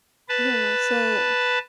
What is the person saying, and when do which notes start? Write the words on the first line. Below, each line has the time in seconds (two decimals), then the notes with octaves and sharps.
Yeah. So,
0.29 B4 A5